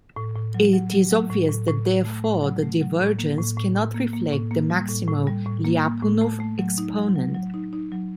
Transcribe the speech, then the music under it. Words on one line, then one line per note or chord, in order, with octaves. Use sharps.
It is obvious that therefore the divergence cannot reflect the maximal Lyapunov exponent.
A2
A2
F#3
F#3
F#3
F#3
A2
A2
A2
A2
A3
A2
F#3
A3
F#3
A2
A#3
A2
A2
A2
A#3
A#3
A2
A#3
G3
A2
A2
G3
A2
A#3
A#3
A2
A3
A3
F#3
D#4
F#3
F#3
F#3
D#4
D#4
F#3